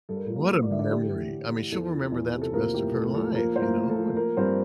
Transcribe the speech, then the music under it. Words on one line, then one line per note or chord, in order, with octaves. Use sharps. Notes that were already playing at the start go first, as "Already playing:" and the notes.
What a memory. I mean, she'll remember that the rest of her life, you know, and
G2 A4
A#4
A4
F3
A#3 A#4
G2
D5
D3 E5
D4 D5
E3 G4
A2
A2
E3
E2 A4
F3
E2
C3
A4
F3 A#3 A#4
A2 G4
A2 A4
F3 A4
F3 A#3 A#4
A2 C5
A#3 A#4
A2
A4
F3
F3 A#3 A#4
G2 C4 C5